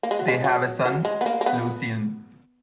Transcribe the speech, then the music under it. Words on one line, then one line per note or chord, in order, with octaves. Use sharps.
They have a son, Lucien.
A#3
G#3
F#3
G#3
F#3
F#3
G#3
B3
A#3
A#3
B3